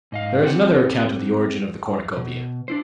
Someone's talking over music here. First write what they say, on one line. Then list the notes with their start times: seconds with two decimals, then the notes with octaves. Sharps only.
There is another account of the origin of the Cornucopia.
0.12 G#2 D#5 F5
0.43 C4 G4 A4 B4 C5 F#5
2.16 B2
2.68 D4 E4 C5